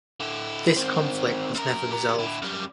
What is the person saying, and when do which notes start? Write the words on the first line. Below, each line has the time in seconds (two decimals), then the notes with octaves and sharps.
This conflict was never resolved.
0.20 D3 E4
0.77 D#3 C4
1.55 F#2 A#4
1.91 G4 A#5
2.19 D3 E4
2.42 F#2 G3